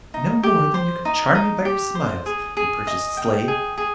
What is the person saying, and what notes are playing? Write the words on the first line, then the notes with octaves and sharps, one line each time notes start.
No more than you could charm me by your smiles, you purchased slave.'
D#4
G4
C5
D#4
D#4
G4
C5
G#4
G#4
D#5
G5
G#4
G#4